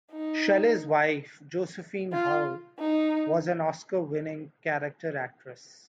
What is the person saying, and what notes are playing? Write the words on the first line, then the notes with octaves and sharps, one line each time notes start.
Shelley's wife, Josephine Hull, was an Oscar-winning character actress.
D#4
F4
D#4